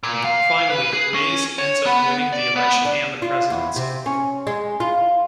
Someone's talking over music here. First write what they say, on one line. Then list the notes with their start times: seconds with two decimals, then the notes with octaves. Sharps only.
Finally, Mays ends up winning the election and the presidency.
0.03 A#2
0.24 F5
0.70 B4
0.93 G#4
1.14 C#4
1.58 C#5
1.86 B3
2.33 D5
2.56 B3
2.85 D4
3.22 F4
3.50 E2
3.76 C3
4.06 C#4
4.47 G#3
4.80 F4